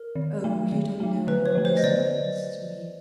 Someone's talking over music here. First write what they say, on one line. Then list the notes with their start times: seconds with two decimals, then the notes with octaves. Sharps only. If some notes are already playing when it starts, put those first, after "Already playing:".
"Oh, you don't know what this means to me."
Already playing: A#4
0.15 D#3
0.44 F#3 A3
0.72 D#3
1.00 F#3 A3
1.27 D3 B4
1.46 C#5
1.55 F3 A3
1.65 C5
1.77 D#5
1.83 D3 D5